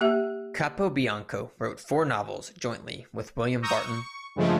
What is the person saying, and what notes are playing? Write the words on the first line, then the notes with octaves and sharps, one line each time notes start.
Capobianco wrote four novels jointly with William Barton.
A#3 G4 E5
A#5 C#6 D#6 E6 G6 A#6
C#6
G2 C#3 F3 G#3 A3